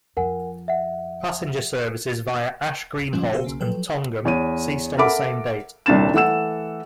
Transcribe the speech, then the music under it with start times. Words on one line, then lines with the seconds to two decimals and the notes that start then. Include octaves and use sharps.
Passenger services via Ash Green Halt and Tongham ceased on the same date.
0.17 F2 A#4 F#5 G#5
0.68 E5 F#5
2.95 A1 D2
3.13 F2 C#3 F3 G3 G#3 C#4
3.31 G1 B2 F#4 G#4 C5 E6
3.44 B1 C#3 A#3
3.60 F3 F#3 A4 B4 G5
4.25 E2 C#5 D#7
4.97 A4 A#4 E5 F#5 B5 D6
5.86 D#1 C2 D4 A6 E7
6.14 E3 A3 F#5 E6 E7